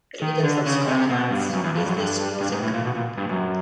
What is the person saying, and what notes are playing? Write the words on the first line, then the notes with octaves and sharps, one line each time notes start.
Readers of Scotland's Is this music?
D#3
D3
C#3
C3
B2
G2
F#2
E2
F2
F#2
G2
G2
G#2
A2
A#2
B2
A#2
G2
F#2